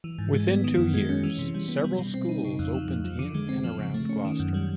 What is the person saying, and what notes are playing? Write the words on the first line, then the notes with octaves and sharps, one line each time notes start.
Within two years, several schools opened in and around Gloucester.
E3
G#2
G#3
B3
D#3
F#2
G#3
C#4
E3
C3
G3
B3
G3
B2
C4
D#4
C#3
F2
F3
F2
F3
D3
G#3
C4
F3
C#3
A3
C#4
D#3
F#2
G3